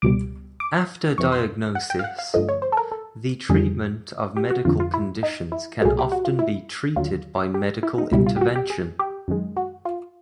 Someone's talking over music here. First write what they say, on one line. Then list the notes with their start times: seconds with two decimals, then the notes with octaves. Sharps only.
After diagnosis, the treatment of medical conditions can often be treated by medical intervention.
0.02 C#2 B2 G3 D6
0.60 D6
1.18 F2 C3 E3 C#6
1.32 C6
1.75 F#5
1.90 G5
1.99 F5
2.04 F#5
2.19 F5
2.34 G2 D3 F3 A3 D#5
2.49 C#5
2.62 C5
2.72 A4
2.77 A#4
2.92 A4
3.49 F2 D3 G3 G#4
4.37 G4
4.50 F#4
4.65 F2 D3 F3 F4
4.80 F4
4.94 E4
5.23 D#4
5.52 E4
5.81 C2 A#2 F#3 A3 G#4
5.99 G4
6.12 F#4
6.25 F4
6.39 E4
6.96 D#2 D3 F#3 F4
7.54 G4
7.83 E4
7.98 D#4
8.12 C#2 B2 G3 E4
8.27 F4
8.36 G4
8.41 F#4
8.56 G4
8.70 G#4
8.99 G4
9.28 F#2 D#3 G#3
9.57 F#4
9.85 F4